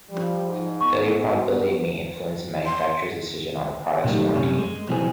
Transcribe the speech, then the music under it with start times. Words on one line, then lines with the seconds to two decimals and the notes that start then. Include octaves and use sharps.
Failure probability may influence a manufacturer's decisions on a product's warranty.
0.10 F3 G3
0.46 G#2
0.81 B3 C#6
1.27 F#4
2.66 C6
4.04 A#2 D3 D#3 F#3 G3 A3
4.34 F#2 C3 C#4 C#5
4.58 G#3
4.89 B1 B2 E3 F3 C4 G#4